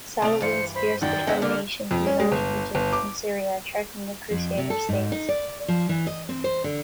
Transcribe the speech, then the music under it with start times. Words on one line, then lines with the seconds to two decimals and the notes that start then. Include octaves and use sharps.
Saladin's fierce determination to unite Egypt and Syria threatened the crusader states.
0.22 C2 A3 A5 D#6 D7 F7
0.42 G2 E3 C5 C#7
0.75 C5 B5
1.01 F#2 D#3 D5 F#5 G5
1.27 E2 G#2 G#3 D4 A4 E5 F#5
1.42 D3 A#3 F6
1.91 F2
2.06 C#4
2.20 G#3
2.32 G1
2.75 G1
2.93 D6
4.31 F2
4.58 C3
4.70 A4
4.89 G#2
5.12 D#4
5.29 D5
5.68 F3
5.89 E3
6.07 D#5
6.29 C4
6.44 C5
6.64 D3